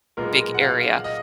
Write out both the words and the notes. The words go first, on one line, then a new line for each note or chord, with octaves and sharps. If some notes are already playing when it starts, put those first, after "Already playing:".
big area,
B1 A#2 G#3 B3 A#4
F#5
F5
D#5